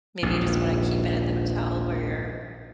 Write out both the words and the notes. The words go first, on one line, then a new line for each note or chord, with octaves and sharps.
maybe you just wanna keep it at the hotel where you're
A#1 D#2 G#2